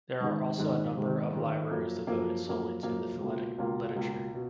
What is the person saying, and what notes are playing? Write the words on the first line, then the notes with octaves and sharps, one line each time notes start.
There are also a number of libraries devoted solely to philatelic literature.
G#2 D#3 G#3
G#2 D#3 G#3
G#2 D#3 G#3
G#2 D#3 G#3
F#2 F3 A#3
F#2 F3 A#3
F#2 F3 A#3
F#2 F3 A#3
C#2 B2 A#3 F4
C#2 B2 A#3 F4
C#2 B2 A#3 F4
B2